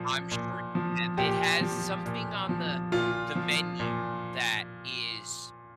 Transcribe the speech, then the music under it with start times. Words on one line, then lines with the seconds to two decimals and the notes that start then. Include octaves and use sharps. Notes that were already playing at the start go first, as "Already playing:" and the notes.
I'm sure you have. It has something on the the menu that is
Already playing: A#2 F3
0.31 A#2
0.75 F3
1.17 A#2 G4
1.61 F3
2.06 A#2
2.49 F3
2.92 A#2 F4
3.35 F3
3.80 A#2